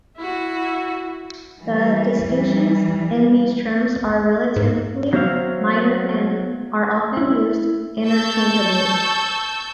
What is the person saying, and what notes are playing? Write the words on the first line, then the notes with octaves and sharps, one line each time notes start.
The distinctions in these terms are relatively minor and are often used interchangeably.
E4 F#4
E3 G3
G#2
F#3 B3 F#4 C5 E5 F5
E4
A5 C#6 E6 G6